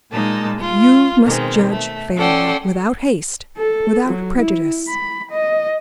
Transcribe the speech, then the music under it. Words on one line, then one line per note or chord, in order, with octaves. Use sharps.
But you must judge fairly, without haste, without prejudice.
A#2 G#3 A#3 D#4 A5
F4
B2 D#3 G#3 C4
A3
C#4 A4 D5 F#5 G5 C6
A4
F#3
E4
B5
D#5